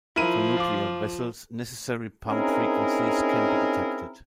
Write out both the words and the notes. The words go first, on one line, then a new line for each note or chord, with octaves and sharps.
For nuclear vessels, necessary pump frequencies can be detected.
F3 E4 A#4 D#7
F4 D6
C4 C#4 D#4 E4 G#4 A#4